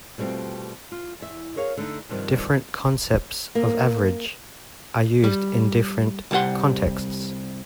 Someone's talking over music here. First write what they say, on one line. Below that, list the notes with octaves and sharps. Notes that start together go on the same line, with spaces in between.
Different concepts of average are used in different contexts.
B2 G3 A3 C4 F4
F4
E2 E5
G#4 A#4 C#5 F5
D3 A3 D#4
G2 C3 D#3 F3 G3
A#3
G3
C2 G3 A4 F#5 C6